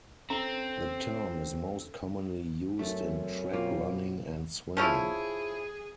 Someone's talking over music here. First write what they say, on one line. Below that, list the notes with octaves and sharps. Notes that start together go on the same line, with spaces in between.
The term is most commonly used in track running and swimming.
C4 C#4 A4 A#5
F#2 A3 C4 C#4
B2 A#3 F4
F3 C#4 E4 G#4